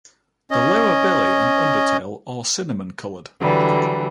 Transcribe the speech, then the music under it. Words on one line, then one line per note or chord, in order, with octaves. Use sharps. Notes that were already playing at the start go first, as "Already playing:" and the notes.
The lower belly and undertail are cinnamon coloured.
C#4 D#5
D3 E3 F#3 G3